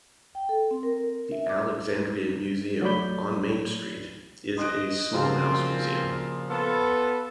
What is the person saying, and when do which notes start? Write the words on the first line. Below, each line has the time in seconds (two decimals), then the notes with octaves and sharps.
The Alexandria Museum, on Main Street, is a small house museum.
0.35 G5
0.49 A4
0.71 C4
0.83 A#4
1.32 E5
1.49 D6
2.82 F#3 A3 C#5 D5 B5 G6
4.58 D#5 C6 F#6 D7
5.15 A#2 C#3 F3 C4 F4 F#4
6.50 B3 F4 A4